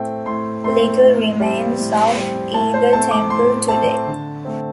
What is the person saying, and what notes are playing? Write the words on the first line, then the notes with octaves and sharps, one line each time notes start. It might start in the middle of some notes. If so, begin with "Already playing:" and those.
Little remains of either temple today.
Already playing: A2 A3 C4 G5
A2 C6
A3 C4 C6
A2
G3 C4
A2
G3 C4
A2 A5
C5
A3 C4 A5
D6
A2 C6
A3 C4 A5
D3
A3 C4